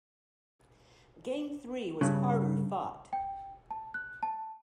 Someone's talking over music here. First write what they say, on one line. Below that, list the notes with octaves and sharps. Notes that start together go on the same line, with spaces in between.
Game three was harder-fought.
G2 C#3
G5
A5
F#6
A5